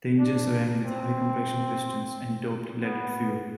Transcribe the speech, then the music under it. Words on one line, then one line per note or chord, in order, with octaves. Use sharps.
The engines ran with high-compression pistons and "doped" leaded fuel.
D4
C4
B3